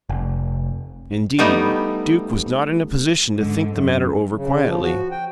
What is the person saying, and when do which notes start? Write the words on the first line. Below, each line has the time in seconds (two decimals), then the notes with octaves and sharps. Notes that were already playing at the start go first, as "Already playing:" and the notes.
Indeed, Duke was not in a position to think the matter over quietly.
0.09 F1
1.39 G3 A3 B3 D#4 G4
3.37 G#2 D3
3.73 F#2
4.36 C#3
4.66 F3
4.83 F#4
5.11 G5